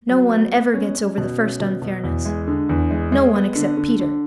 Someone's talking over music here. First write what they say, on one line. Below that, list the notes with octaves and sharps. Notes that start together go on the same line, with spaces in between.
No one ever gets over the first unfairness; no one except Peter.
F#3
B3
B3
C#4
C#4
B2
C#4
B2
B2
E2
G#3
D3
E2
G#3
G#3
B3
D3
D3
D3